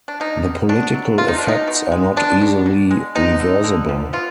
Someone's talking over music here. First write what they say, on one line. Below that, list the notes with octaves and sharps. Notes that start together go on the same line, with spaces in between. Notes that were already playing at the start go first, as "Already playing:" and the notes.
The political effects are not easily reversible.
D4
A#3 D#4
B2
B2 D4
F#3
B3 F4
D#4
B2 D4
D#4
B2
G#3
B3 D4
B2
B2
G#3
B3 D#4
D3
D3
F3
B3 F4